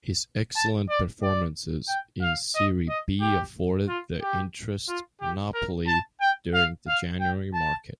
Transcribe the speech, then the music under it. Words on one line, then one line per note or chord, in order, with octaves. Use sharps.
His excellent performances in Serie B afforded the interest Napoli during the January market.
A5
D5
D5
G5
F5
D#5
D#5
G4
F4
G4
F4
G4
A#4
A5
G5
F5
F5
G5
A5